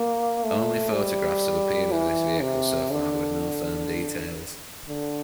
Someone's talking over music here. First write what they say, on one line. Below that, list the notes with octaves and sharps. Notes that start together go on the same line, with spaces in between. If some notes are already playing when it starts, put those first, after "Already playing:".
Only photographs have appeared of this vehicle so far with no firm details.
Already playing: A#3
A3
G3
E3
C3
D3
D3